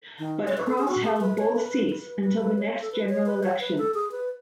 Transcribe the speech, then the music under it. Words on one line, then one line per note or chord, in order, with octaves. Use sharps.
But Cross held both seats until the next general election.
D#3
C#5
B4
A4
G#4
F#4
G#4
A4
B4
C#5
B4
B4
B4
C#5
A4
B4
C#5
B4
C#5
B4
A4
G#4
B4